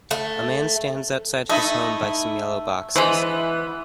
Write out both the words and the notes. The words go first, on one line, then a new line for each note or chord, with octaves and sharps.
A man stands outside his home by some yellow boxes.
A3
A3 D#4 E4 D#5
E3 G#3 B3 C5